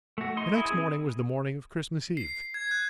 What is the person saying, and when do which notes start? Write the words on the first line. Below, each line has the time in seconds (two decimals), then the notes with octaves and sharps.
The next morning was the morning of Christmas Eve.
0.18 A3 F#4
0.37 D#4 C6
0.53 E4 G#4
0.71 C4 G#4
2.17 C7
2.54 G#6
2.71 F#6